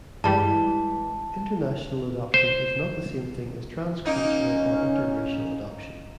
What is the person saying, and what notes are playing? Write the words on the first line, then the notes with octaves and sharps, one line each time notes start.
International adoption is not the same thing as transcultural or interracial adoption.
G2 E3 G3 G#3 A5
C5
A#3 C#4 D#4